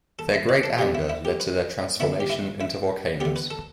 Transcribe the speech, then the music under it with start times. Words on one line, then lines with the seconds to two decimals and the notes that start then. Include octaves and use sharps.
Their great anger led to their transformation into volcanoes.
0.19 A4
0.34 E4
0.49 D5
0.63 A4
0.78 B2 G3 B3 G4
0.95 E4
1.09 E4
1.25 G4
1.40 B4
2.00 D3 B3 E4
2.20 G4
2.30 E4
2.61 E4
3.20 D3 B3 G4
3.36 B4
3.50 A4